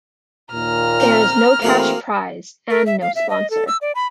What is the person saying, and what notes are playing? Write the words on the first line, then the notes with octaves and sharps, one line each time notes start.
There is no cash prize and no sponsor.
D#2 A#2 A#5 F6
C4
E3 A3 A#3 C4 F#4 G#4
A#4
E5
F5
E5
D#5
A4
E6
D5
B5